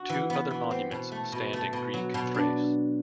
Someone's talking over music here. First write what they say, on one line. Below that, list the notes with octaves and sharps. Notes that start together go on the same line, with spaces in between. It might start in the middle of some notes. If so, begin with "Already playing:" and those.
Two other monuments stand in Greek Thrace.
Already playing: F#4
E3
B3
E3
C4
B2
A3
B2
A3
B2
F#3
B2
D4